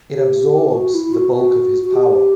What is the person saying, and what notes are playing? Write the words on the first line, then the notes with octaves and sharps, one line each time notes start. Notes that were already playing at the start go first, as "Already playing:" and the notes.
It absorbs the bulk of his power.
G4
F#4
E4
F#4
F#4
F#4
G4